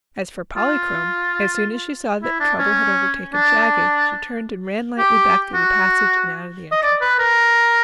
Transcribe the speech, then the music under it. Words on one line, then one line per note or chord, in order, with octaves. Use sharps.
As for Polychrome, as soon as she saw that trouble had overtaken Shaggy she turned and ran lightly back through the passage and out of the entrance.
F4
E4
D4
C#4
D4
G4
F#4
D#5
D5
B4
A#4